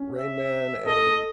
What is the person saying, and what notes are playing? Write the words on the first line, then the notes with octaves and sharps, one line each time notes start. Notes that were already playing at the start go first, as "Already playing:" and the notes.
Rain Man and
Already playing: C#4
E5
A4 D#5
A4